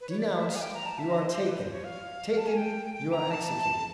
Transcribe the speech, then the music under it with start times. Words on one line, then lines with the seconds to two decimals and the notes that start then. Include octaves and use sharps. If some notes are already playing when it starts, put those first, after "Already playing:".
Denounced, you are taken; taken, you are executed.
0.01 B4
0.09 C#5
0.18 D5
0.37 E5
0.49 F5
0.55 G#5
0.61 G5
0.74 A#5
0.86 A5
0.99 E5
1.10 D#5
1.29 C5
1.47 B4
1.59 C5
1.71 C#5
1.84 F5
2.37 A5
2.47 G#5
2.57 G5
2.94 G5
3.12 A#5
3.30 A5